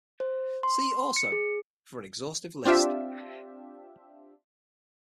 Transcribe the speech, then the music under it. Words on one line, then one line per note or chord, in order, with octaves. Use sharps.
See also: for an exhaustive list.
C5
C6
C#7
G#4
C4 D4 F4 G4 E5